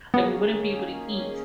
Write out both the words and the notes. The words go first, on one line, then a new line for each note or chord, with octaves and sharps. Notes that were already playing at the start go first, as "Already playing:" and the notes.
and we wouldn't be able to eat
D#3 A#3 B3 C#4 G#4